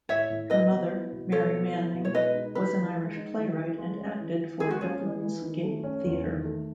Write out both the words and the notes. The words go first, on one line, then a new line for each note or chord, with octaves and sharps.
Her mother, Mary Manning, was an Irish playwright and acted for Dublin's Gate Theatre.
A2 C#5 E5
A2
F#3 B4 D#5
B3
E4
B2
F#3 A4 C#5
B3
E4
B2
C#5
G#3 B4 D#5
D#4
E3 B4
E3
G#3
D#4
E3
E3
G#3
C#4
E3
E3
G#3 G#4
F#4
C#4 G#4
E3
E3
D#3
A3
C#4
E2
D#3
A3